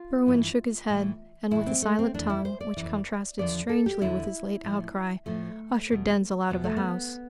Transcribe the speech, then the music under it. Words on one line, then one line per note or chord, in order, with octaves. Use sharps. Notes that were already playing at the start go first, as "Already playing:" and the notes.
Berwin shook his head, and with a silent tongue, which contrasted strangely with his late outcry, ushered Denzil out of the house.
Already playing: F4
G2 E3
A2 E3
A2 E3 E4
C4
A3
C4
F2 E3 D4
E4
C5
D5
F2 E3
E2 D3 F3 D5
A4
G4
E2 D3 F3 E4
A2 F3
A2 F3 A3
E2 B2
E2 B2 B3
A3
B3